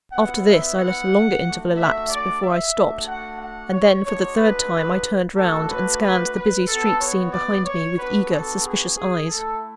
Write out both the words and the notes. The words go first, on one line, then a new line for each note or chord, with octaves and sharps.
After this, I let a longer interval elapse before I stopped; and then, for the third time, I turned round, and scanned the busy street-scene behind me, with eager, suspicious eyes.
B3 E4 F#5
E5
F#5
A3 D4 F#4
E5
D5
E5
A3 D4 F#4
F#5
F#5
C#5
G#3 D4 F#4 C#5
B4
A3 D4 F#4 A4
B4
B4
B4
B3 F#4 A4
C#5
D5
C#5
B3 D4 F#4 B4
A4
G#4
G#4
A3 E4 A4